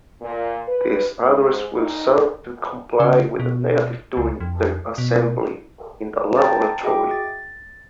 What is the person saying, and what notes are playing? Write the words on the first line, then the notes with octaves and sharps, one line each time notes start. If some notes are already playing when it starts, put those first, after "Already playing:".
These addresses will serve to comply with the negative during their assembly in the laboratory.
A#2
B4
G#2
D#4
C#3
B2
C#2
F2
B2
G5 A5 A#5 G6 A6
F#4 G#4 D#5 E5 G5 D6
A6